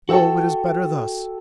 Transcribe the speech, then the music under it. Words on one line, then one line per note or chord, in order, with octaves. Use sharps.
No, it is better thus.
F#4 A4 F#5 G5 A5